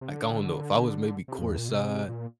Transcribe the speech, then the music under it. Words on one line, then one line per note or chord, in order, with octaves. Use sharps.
Like, I don't know, if I was maybe courtside
C3
D3
C3
F2
E2
A#2
C3
A#2